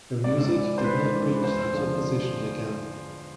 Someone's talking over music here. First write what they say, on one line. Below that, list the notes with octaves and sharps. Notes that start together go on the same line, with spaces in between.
Her music did not reach the top position again.
G#2 D5
D5
E3
C5
G#2 B4
E3
E2 C5
D3 F3